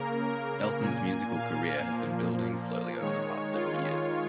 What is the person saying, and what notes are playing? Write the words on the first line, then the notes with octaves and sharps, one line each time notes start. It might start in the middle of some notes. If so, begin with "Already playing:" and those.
Elson's musical career has been building slowly over the past several years.
Already playing: C#3 A#3 A#4
A#4
A#2 A#3 G#5
F5
A#2 F3 A#3
D#3 G#3 C#5
F4